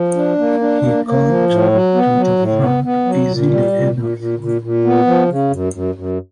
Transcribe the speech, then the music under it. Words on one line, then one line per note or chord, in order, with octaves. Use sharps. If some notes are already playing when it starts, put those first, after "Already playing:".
He got to the front easily enough.
Already playing: F3
D4
A#3
D4
A#3
A#3
F3
A2
F#3
B3
F#3
A2
B3
B3
F#3
A#2
G3
A#2
A#2
A#2
A#2
A#2
B3
F3
C#3
F#2
F#2
F#2